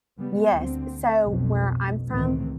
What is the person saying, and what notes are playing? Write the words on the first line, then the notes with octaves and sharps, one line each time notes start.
Yes, so, where I'm from
C#3 G3 B3
D2 D3 C4
B1 F2
C#2 A2 D#3 E3 C4